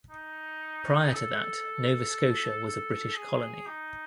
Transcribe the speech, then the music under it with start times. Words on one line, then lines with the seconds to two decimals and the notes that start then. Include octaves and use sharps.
Prior to that, Nova Scotia was a British colony.
0.11 D#4
1.13 A4
2.64 A4
3.14 G#4
3.66 D#4